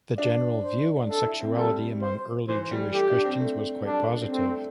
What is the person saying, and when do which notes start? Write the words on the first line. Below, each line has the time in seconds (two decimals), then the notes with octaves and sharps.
The general view on sexuality among the early Jewish Christians was quite positive.
0.18 D4 D5
0.64 C5
1.10 D4 A4
1.25 E4
1.41 C4
1.56 G3 A4
2.02 C5
2.48 E3 C5
2.71 G3
2.94 A3 G4
3.10 D4
3.25 C4
3.40 A3
3.86 G3 D4
3.98 A3
4.10 D4
4.21 C4
4.33 A3 C4
4.45 A3